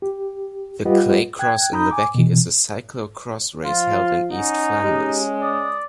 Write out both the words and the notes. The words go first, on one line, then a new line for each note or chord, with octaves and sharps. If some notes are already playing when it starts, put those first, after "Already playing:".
The Clay Cross in Lebbeke is a cyclo-cross race held in East Flanders.
G4
G3 F4 G4 B4 D#5 F#5
G5 F#6 G#6
D#4 A#5 B5 D#6 G6
G#5 D6
B2 E3
F3 F4 F5 C6
C#4 D#4 F#5
G#3 C#4 G4
D5 D#6